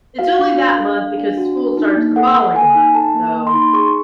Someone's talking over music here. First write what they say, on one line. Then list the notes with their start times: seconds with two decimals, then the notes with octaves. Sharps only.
it's only that month because school starts the following month, so
0.19 F#4 F5
0.39 D4
0.59 D4
0.78 A4
0.98 D4
1.18 D4
1.37 F#4
1.57 D4
1.77 D#4
1.96 A#3
2.16 A4 F#5
2.36 A4
2.56 A#3 G#5
2.75 D#4
2.95 A4 A5
3.14 A#3
3.34 A#3
3.47 C6
3.54 D#4 B5
3.73 G#4 C#6